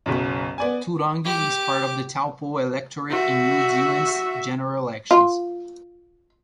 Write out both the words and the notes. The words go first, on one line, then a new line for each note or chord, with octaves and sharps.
Turangi is part of the Taupo electorate in New Zealand's general elections.
F#1 B1 F#2
B3 D5 G#5
G4 D6
F#4 E5
F4